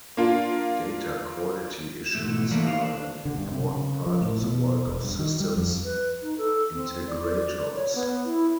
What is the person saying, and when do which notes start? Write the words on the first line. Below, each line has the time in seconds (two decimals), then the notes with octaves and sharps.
Data quality issues are an important part of the work of systems integrators.
0.17 A#3 D4 F4
2.15 G#2 B2 E3 A3
2.51 D3 E3 A3 A#3 D4
2.66 D#4 G4 F5
2.81 D4
3.25 D3
3.38 G2
3.52 C3
3.73 C#3
4.06 F3
4.21 A2
4.42 B2
4.87 E1
5.04 G2
5.19 D#3
5.40 G3
5.57 F2
5.84 B4
6.22 D#4
6.38 A4
6.74 C4
7.07 D5
7.75 C#5
7.95 B3
8.25 E4